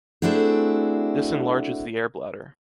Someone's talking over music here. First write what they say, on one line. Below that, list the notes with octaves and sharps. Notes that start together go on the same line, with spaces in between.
This enlarges the air bladder.
A3 C4 D4 E4 F#4 G#4